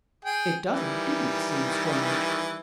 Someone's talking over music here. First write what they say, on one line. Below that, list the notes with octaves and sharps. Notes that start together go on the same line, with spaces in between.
"It does indeed seem strange."
G#4 G5
D#3 E3 G3